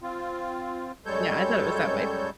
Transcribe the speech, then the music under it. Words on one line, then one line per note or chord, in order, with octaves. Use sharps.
Yeah." I thought it was that way.
C4 F4
F#2 G3 G#3 A4 C#5 G6